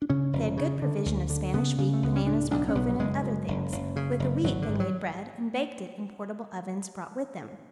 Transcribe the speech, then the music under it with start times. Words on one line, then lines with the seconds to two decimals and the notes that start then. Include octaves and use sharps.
They had good provision of Spanish wheat, bananas, racoven, and other things; with the wheat they made bread, and baked it in portable ovens, brought with them.
0.02 D4
0.09 C#3 C#4
0.33 F1
0.57 C#3
0.82 D3
1.06 D2
1.30 D3
1.54 C#3 B3
1.78 C#3
1.93 A3
2.03 C#2 B3
2.16 C#4
2.26 A2 D4
2.51 B1 D4
2.69 C#4
2.75 B1 B3
2.89 F#3
2.99 F#1 G#3
3.24 F#2
3.48 F#1
3.72 F#1
3.96 C#3
4.20 F#1
4.44 G#1 F#3
4.62 D3
4.69 G#2
4.80 F#3